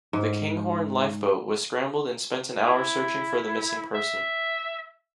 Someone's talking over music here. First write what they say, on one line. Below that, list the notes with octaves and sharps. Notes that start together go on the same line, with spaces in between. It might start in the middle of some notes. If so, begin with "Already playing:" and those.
The Kinghorn lifeboat was scrambled and spent an hour searching for the missing person.
G#2
E4
E5